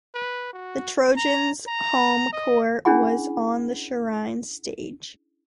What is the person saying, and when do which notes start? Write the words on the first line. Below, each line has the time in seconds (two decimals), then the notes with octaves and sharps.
The Trojans' home court was on the Shrine's stage.
0.15 B4
0.53 F#4
1.16 A#5
1.67 A#5
2.32 D#5
2.85 C#4 D4 E4 G#4 F#5 B5